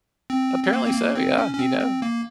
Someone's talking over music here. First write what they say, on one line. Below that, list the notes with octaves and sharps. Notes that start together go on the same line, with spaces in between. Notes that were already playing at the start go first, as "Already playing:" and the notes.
Apparently so, yeah, you know,
C4
C4
A#3
C4
A#3
C4
C#4
C#4
C4
C4
A#3